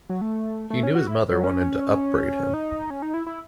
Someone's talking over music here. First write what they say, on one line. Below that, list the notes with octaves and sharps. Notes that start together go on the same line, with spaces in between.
He knew his mother wanted to upbraid him.
F#3
A3
A3
C#4
F#4
E4
F#3
C#4
D#4
C#4
D#4
E4
E4